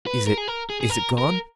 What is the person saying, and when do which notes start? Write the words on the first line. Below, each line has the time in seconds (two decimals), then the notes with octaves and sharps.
"Is it--is it gone?"
0.07 B4
0.27 A#4
0.38 G#4
0.48 A#4
0.70 G#4
0.81 G#4
0.90 A#4
1.18 A#4